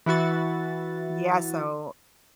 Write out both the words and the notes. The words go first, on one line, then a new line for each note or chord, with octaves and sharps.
Yeah, so
E3 E4 F#4 A6